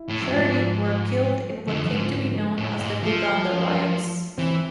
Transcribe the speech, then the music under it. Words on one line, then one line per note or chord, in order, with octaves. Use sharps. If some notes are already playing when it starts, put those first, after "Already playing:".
Thirty were killed in what came to be known as the Buganda riots.
Already playing: E4
A2
F2
G#2 F3
F2 D3
F2
G#2
F3
G#2
G#3
A2
G#2
F3 A3
E3 C4